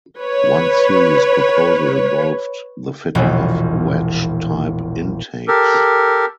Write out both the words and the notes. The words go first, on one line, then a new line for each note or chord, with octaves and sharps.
One serious proposal involved the fitting of "wedge" type intakes.
B4 C#5
E1 A#1
G4 A4 A#4